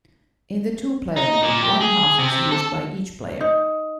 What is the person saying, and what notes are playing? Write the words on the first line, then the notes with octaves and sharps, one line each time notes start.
In the two-player mode one half is used by each player.
D#4
A#2
G4
G#4
C3
A4
D#4